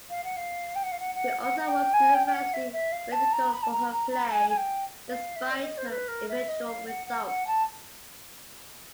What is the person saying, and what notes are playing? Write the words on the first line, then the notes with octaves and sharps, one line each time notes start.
She also was universally ridiculed for her play, despite her eventual result.
F5
F#5
F5
G5
F#5
F5
F#5
F#5
F#5
F#5
G5
G#5
G5
G5
F#5
E5
E5
F5
A5
A#5
B5
A5
A#5
A#5
A#5
G#5
G#5
G5
F5
E5
D5
D#5
C5
B4
A#4
E5
D#5
F5
F#5
F#5
F#5
A5